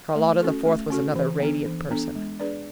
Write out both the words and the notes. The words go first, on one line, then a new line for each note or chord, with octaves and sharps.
Charlotta the Fourth was another radiant person.
A3
C#4 F#4 A4
A3
C#4 F#4 A4
E3
B3 D4 A4
E3
B3 D4 A4
G#3
D4 G#4 B4 D5